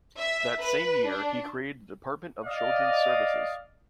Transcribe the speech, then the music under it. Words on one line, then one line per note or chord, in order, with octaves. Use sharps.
That same year, he created the Department of Children's Services.
E5
B4
D4
D5 D#5 F5